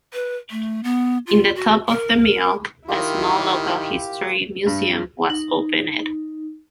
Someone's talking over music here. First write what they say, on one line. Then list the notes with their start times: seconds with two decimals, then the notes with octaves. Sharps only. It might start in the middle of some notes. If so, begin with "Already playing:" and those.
In the top of the mill, a small local history museum was opened.
0.13 B4
0.51 A3
0.83 B3
1.27 F4
1.55 F#4
1.89 A#4
2.88 D#3 E4 F4 G4 A#4 D#5
4.66 G2
5.30 D#4